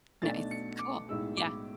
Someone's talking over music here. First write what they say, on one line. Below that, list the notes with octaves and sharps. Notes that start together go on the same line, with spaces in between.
Nice, cool, yeah,
B1 B2 A3 D4 A6
C#7
D6
B1 A2 G#3 E6
D6